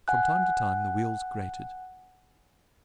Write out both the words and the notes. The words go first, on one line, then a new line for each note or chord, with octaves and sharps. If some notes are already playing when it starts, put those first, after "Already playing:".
From time to time the wheels grated.
F#5 G#5 F#6